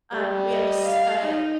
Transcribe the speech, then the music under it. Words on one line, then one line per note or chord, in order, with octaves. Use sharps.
Um, we have a s a
G3
D#5
F5
D#4